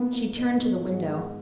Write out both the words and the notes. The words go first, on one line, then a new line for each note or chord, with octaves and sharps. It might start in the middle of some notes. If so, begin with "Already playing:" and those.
She turned to the window.
Already playing: A#3 B3
A#3
B2
B2
G#2
G#2